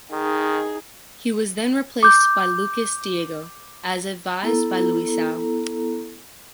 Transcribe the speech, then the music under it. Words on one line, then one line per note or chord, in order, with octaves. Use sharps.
He was then replaced by Lucas Diego, as advised by Luisao.
D#3 D#4 G#4
D6 G6
B3 E4 A4 A#5